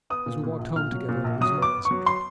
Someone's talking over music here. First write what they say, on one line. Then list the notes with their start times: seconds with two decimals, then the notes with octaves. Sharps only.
As we walked home together I resumed the subject.
0.10 B3 D#6
0.26 A#2
0.43 A#2
0.59 A#1
0.75 A#2 F6
0.92 F#3
1.09 A#2
1.24 A#1
1.41 F#3 D#6
1.57 B3 D6
1.74 B3
1.85 C#6
1.91 F#3
2.06 C6